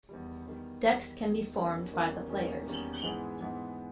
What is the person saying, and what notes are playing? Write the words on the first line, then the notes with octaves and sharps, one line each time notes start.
Decks can be formed by the players.
E2 D#3 G3
E2 D#3 G3
E2 D#3 G3
E2 D#3 G3
E2 D#3 G3 A#3 C#4
E2 D#3 G3 A#3 C#4
E2 D#3 G3 A#3 C#4
E2 D#3 G3 A#3 C#4
G#2 E3 G#3 B3
G#2 E3 G#3 B3